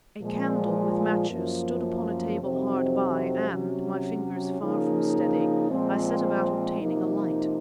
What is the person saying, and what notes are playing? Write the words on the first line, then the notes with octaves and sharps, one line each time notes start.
A candle, with matches, stood upon a table hard by, and, my fingers far from steady, I set about obtaining a light.
A#2 F3 G#3
F#2 F3 A#3
F2 C3 F#3 C4 D#4
C3 F#3 C#4
C#3 F3 A#3 D#4
A#2 F3 G#3 C4
C3 F3 A#3 D#4